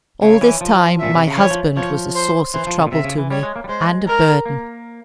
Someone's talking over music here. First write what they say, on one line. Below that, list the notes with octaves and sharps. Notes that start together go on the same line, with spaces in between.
All this time my husband was a source of trouble to me, and a burden.
C#3 C#5
E3
F3
A#2 E5
C3
C#3
E3 C#5
F3
F3 C#5
C5
E3 C5
F3
C#3
A#2
C3 E5
C#3
E3
G3 C#5
G#3
A#3
G3
G#3 C5
A#4
A#3